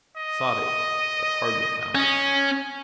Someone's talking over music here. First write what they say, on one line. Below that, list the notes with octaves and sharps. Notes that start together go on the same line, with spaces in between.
Sought it, but hardly found it.
D#5
C#4